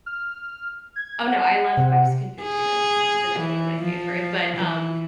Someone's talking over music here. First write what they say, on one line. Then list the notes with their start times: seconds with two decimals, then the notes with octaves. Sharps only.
Oh, no. I love Mexican food too. That's another one of my favorite. But, um
0.06 F6
0.96 G#6
1.28 F#5
1.77 C3
2.43 G#4
3.39 E3
3.82 F3
4.57 E3